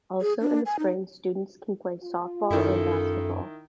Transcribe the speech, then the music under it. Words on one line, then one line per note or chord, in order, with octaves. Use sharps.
Also in the spring students can play softball and basketball.
G#4
D4
G#5
D#4
F4
F#2 D#3 E4 A4